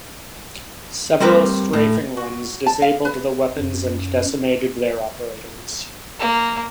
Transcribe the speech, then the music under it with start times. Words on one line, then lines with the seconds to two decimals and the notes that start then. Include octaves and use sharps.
Several strafing runs disabled the weapons and decimated their operators.
1.20 G3 C4 A#4 B4
1.73 A2
2.17 F#4
2.66 A5
2.82 F5
3.05 B4
3.58 F#2
6.19 A#3